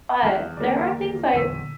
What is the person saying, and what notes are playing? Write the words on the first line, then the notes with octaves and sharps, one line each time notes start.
but there are things I
E2 D#3 F3 G3
D2 D#3 G3 A#3 D5
B1 E2 A#2 D3 B3 E6 B6 D#7